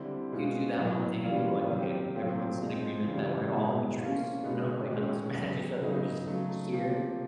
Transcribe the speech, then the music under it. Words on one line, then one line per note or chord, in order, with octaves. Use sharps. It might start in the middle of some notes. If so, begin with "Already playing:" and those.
you do that one thing, and people are like, "Okay, everyone's in agreement that we're in all in a truce," you know, like, "None of us are mad at each other, we're just here."
Already playing: D3 G3 C4 E4
B2 G#3 C#4 F4
A2 F#3 B3 E4
E3 G3 A#3 C#4 F4
C3 D#3 F#3
F#3 A3 C4 F4
F3 G#3 C4 D#4
C#3 E3 G3
B2 G#3 B3 E4
F3 A#3 C#4 F4
B2 G#3 B3 D#4
D#3 G#3 C#4
D#3 F#3 B3
C#3 F#3 B3 D#4
C#3 F#3 A3
C3 F3 A#3